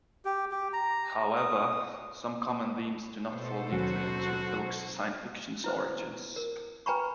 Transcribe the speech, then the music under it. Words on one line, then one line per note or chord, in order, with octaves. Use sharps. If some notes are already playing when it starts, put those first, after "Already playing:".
However, some common themes do not fall neatly into filk's science fiction origins.
G4
G4
A#5
D#6
B2 A4 C5
D#2 F#3 C#4 F#4
E4 B4 C5
A#4
B4 G5 G#5 A#5 B5 C#6